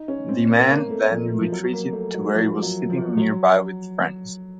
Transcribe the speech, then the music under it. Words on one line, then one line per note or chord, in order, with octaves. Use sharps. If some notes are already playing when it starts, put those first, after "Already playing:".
The man then retreated to where he was sitting nearby with friends.
Already playing: D#4
C#4
C4
A#3
A#3
A3
F3
F3
F#3
A#3
A3
F#3
F#3
F3
F#3
F3
F#3